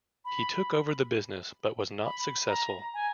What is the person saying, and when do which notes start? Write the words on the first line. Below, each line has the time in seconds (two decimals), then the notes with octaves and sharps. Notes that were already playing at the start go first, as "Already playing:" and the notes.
He took over the business but was not successful.
0.25 B5
2.04 B5
2.48 A#5
2.94 G#5